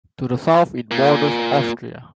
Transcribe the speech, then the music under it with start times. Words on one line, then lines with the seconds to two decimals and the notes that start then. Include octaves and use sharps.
To the south it borders Austria.
0.91 A#2